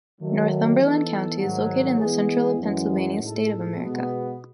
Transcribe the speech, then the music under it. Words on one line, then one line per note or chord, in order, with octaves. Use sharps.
Northumberland county is located in the central of Pennsylvania state of America.
D#3 F#3 A3
E3 B3 D#4 A4
G#2 D#3 F#3
E3 G#3 B3 E4 G#4
F#2 E3 G#3
A2 G#3 D#4 A4
B2 G#3 B3